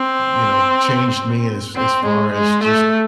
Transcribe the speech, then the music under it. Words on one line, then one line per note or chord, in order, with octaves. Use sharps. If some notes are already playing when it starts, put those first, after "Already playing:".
you know, changed me as as far as just
Already playing: C4
C4
G#3
G#3
A3